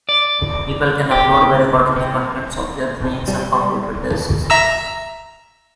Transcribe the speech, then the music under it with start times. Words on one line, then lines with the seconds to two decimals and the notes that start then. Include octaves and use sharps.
People can "upload" by recording the contents of their brains on computer disks.
0.09 D5
1.11 G4
1.51 C#2
1.96 C3
3.28 G3
4.50 E5 A#5 E6